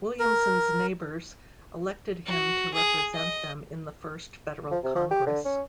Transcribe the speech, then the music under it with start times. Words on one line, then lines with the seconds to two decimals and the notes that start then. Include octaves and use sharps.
Williamson's neighbors elected him to represent them in the first federal Congress.
0.19 A#4
2.26 F#4
2.74 G#4
3.14 D#5
4.71 F3
4.83 C3
4.95 F3
5.11 G4
5.26 D3
5.45 C#4